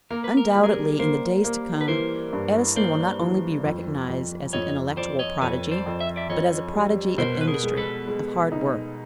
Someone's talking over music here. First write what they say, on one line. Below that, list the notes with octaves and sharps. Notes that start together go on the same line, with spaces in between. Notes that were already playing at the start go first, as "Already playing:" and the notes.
Undoubtedly in the days to come Edison will not only be recognized as an intellectual prodigy, but as a prodigy of industry--of hard work.
A#3 A#4
B4
A#4
G3 B4
G#4 A#4
A#3 A#4 C5
A#3
B4
E3 A#4 C5
G2
A#3 C5 D5
E3
F2
F2
F2 C#5 D#5
F2 C5 D5
C#5 D#5
F2 B4 C#5
C5 D5
F2
E5
D5 E5
F2 C#5 D#5
G3
B2 A#4 C5
B4
G#4 A#4
G#3
A4 B4
G#3
D#4